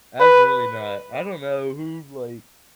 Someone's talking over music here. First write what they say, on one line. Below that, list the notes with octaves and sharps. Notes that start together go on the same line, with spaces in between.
Absolutely not. I don't know who, like
B4